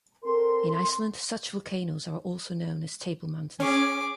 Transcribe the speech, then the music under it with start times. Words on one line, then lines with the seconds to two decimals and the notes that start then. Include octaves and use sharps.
In Iceland, such volcanoes are also known as table mountains.
0.24 C4 A4 A#4 C6
3.60 C#4 G#4 D6